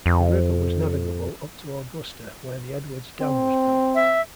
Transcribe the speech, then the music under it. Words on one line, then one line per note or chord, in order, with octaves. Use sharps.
The river was navigable up to Augusta where the Edwards Dam was built.
F2
C4
E5